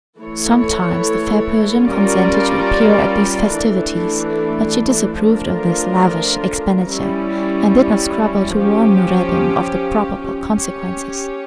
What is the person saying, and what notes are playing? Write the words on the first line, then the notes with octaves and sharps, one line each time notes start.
Sometimes the fair Persian consented to appear at these festivities, but she disapproved of this lavish expenditure, and did not scruple to warn Noureddin of the probable consequences.
E3 A3 E4 A4 C#5
G3 C#4 F4 A#4 D5
E3 A3 D4
F3 A3 D4 F4 A#4
G3 C#4 E4
F3 C#4 G4
C#4 G4 C#5